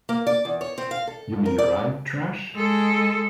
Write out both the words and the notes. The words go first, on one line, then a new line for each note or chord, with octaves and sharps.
You mean write trash?
A#3
D5
E2
C#5
C4
F5
A4
A#4
D5
G#3 A4